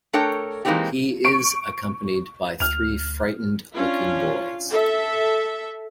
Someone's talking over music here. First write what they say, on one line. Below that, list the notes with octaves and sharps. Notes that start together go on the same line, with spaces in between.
He is accompanied by three frightened-looking boys.
A3 D4 A4 A#4 C#5 G5
E3 G#3 A#3 C4 D#4 G4
C#6 D7
D2 F6 F7
C#4 D4 F4
A4 E5